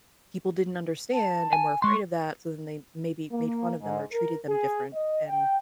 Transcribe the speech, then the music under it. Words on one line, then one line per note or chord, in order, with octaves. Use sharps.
people didn't understand and were afraid of that, so then they maybe made fun of them or treated them different, and
A5
G#5
G#3 C6 C#6
A#3
G#2
A#4
G#4
D#5
G5